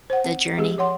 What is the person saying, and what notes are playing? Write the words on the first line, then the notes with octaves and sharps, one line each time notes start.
the journey.
C5 F#5
C4
G#3 C4 G4 G#4
F3 C#5 F#5 C6